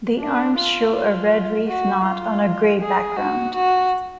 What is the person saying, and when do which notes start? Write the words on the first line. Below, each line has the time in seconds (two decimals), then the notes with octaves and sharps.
The arms show a red reef knot on a gray background.
0.19 D4
0.56 F4
0.93 F4
1.68 F#4
2.06 F4
2.80 G#4
3.17 F#4
3.54 F#4